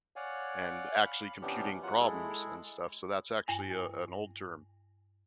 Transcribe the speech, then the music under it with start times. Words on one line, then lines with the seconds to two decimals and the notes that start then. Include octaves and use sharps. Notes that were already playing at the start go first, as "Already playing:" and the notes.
and actually computing problems and stuff- so that's actually, a an old term.
0.16 C#5 D5 F5 F#5 G#5
1.04 F5 B5
1.42 C3 E3 B3 C#4 D4 G4
1.83 F#2 F#3 F4 F#5
2.00 G#3 E4 G#4 A4
3.48 G2 G#5